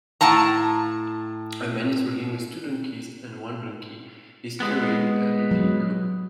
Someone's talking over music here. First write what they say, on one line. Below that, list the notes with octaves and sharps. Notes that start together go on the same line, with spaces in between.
A man is walking with two donkeys and one donkey is carrying a heavy load.
A2 F5 A5 A#5
G#3 B3
F#3